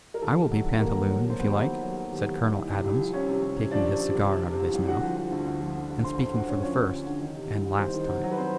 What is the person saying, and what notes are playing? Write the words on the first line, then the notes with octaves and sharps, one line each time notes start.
"I will be pantaloon, if you like," said Colonel Adams, taking his cigar out of his mouth, and speaking for the first and last time.
A#4
D#2 A4
D#3
F#3
D#2
A4
D#2 A#3 A#4
F#3
F#3
F#3
C5
D#2 B3 B4
F#3
D#3
F#3
F#3
D#2
D#2
D#3
C2
C3
C2
F3
C2 C#4 C#5
C3
C3
C3
F3 D4 D5
C3
C3
C3
F3
C3
C2
C2
D3 F#4 F#5
F3
F3
D2
D2
F3
D3
D2
D3 C5 C6
D2 C5 C6
D2 F#4 F#5
D3 C#4 C#5
F3 C#4 C#5
D3
D2
D3
D#3
C3
C2
C2
D#3 C4 C5
D#3
F#3
F#3
B4
C4 C5